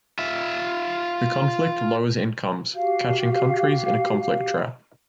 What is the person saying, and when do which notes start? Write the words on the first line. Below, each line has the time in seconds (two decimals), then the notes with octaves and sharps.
The conflict lowers incomes catching countries in a conflict trap.
0.19 F4 E5
2.75 F#4 G4 F5